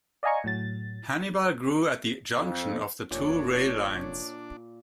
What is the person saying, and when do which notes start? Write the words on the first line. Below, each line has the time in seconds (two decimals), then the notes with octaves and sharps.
Hannibal grew at the junction of the two rail lines.
0.23 D5 D#5 F5 G#5 A#5 C#6
0.44 A2 F#3 A6
2.37 F2
3.11 F1 A#2 D4 C#5